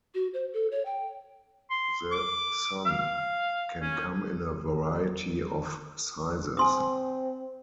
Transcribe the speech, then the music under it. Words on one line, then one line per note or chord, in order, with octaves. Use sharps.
The xun can come in a variety of sizes.
F#4
C5
A4
C#5
G5
C6
D6
F5
C#4
C4 G#5 C6 D#6